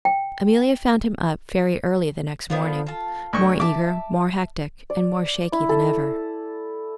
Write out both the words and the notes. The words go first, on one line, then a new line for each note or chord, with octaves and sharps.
Amelia found him up very early the next morning, more eager, more hectic, and more shaky than ever.
G5
D3 F3 B3
F4 A5
D2 C#6
E5 A5 D6
D5
E4
A4